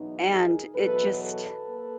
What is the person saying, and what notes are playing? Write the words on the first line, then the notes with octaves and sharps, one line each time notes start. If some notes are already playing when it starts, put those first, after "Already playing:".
and it just
Already playing: E2 B2 F#3 B3 D#4
G#4 A#4
E2 B2 F#3 A4 B4
A4 B4
A#3